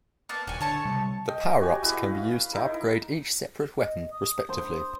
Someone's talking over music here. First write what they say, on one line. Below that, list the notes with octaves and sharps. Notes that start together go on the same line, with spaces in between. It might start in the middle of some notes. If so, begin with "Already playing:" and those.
The power-ups can be used to upgrade each separate weapon respectively.
A#3 B3 A5
D#1 F#4 G#5
D3 C#5 A5 C#6
C3 G3
D#5 G5
F#4 G4 G#5
E4 F#4 G#4 B4
F5
D#4 E4 A#4
D#5
D#6
C5